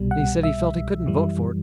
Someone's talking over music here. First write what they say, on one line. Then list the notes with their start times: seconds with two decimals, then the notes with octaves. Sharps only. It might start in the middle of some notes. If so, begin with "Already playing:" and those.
And he said he felt he couldn't vote for it.
Already playing: C2 B2 G3
0.11 F#5
0.43 E5
1.07 F#2 E3 G3